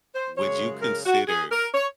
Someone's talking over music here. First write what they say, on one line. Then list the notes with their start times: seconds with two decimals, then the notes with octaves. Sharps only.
would you consider
0.14 C5
0.37 F#2 C#3 G#3 C#5
0.82 A#4
1.06 F#4
1.28 G#4
1.52 A#4
1.74 C#5